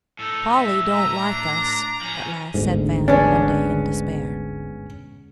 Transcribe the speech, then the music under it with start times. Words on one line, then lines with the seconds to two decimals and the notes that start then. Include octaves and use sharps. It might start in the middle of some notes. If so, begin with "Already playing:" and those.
"Polly don't like us," at last said Van one day in despair.
0.19 A2 D#4 A4
0.55 E5
0.94 A#5
1.24 D4
2.02 F3 C#4
2.54 G1 D2 G#2
3.08 G#3 B3 C#4 D4